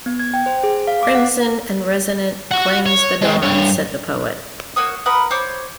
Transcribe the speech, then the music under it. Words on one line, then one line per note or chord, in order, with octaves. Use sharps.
"Crimson and resonant clangs the dawn," said the poet.
B3
G#6
G5
C5
G#4
F5
D6
F#5
F#4 F#5
C#5
G#3 C4
G2 C#5
A#3 F#4 C#5 D#6
A#4 B4 F#5 D#6
C5 C#5 D6